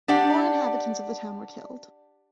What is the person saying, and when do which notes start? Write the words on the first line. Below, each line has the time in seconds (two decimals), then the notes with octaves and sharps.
Four inhabitants of the town were killed.
0.08 D4 G4 D5 F#5